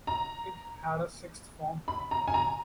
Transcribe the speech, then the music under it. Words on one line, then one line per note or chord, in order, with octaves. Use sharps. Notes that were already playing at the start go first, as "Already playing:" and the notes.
It had a sixth form.
A#5
B5
A#5
G#5
A#5